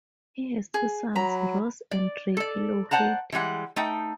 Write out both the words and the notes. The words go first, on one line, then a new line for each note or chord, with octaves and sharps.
He has two sons, Ross and Drake Lawhead.
G#4
F#3 A#5 B5
D5
A4 D5
C5 D5 F#5 A5 A#5
E3 G3 G#3 F#5
A3 D#4 G5